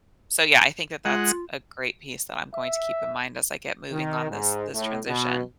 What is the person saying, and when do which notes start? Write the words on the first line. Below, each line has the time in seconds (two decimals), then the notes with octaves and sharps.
so, yeah, I think that that's a great piece that I'm going to keep in mind as I get moving on this this transition.
1.05 G#3 F4 F#5
2.53 E5
3.91 D#3
4.29 G#2
4.74 A2
5.07 B2